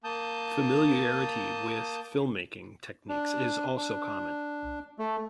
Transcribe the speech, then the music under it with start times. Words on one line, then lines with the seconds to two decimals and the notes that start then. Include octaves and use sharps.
Familiarity with film-making techniques is also common.
0.04 A#3 A5 D#6 G6
3.09 D4
3.77 D4
4.99 A3